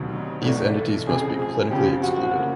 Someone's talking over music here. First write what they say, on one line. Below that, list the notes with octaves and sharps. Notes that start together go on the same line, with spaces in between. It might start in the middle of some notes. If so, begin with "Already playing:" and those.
These entities must be clinically excluded.
Already playing: E1 D2 C3 D#3 F#3
D#4
B1 A2 E3 A3 D4
A4
F1 F2 C#3 F3 G#4
G#4
F#1 F2 C#3 F3 G4
F#4
C#3 F3 A#3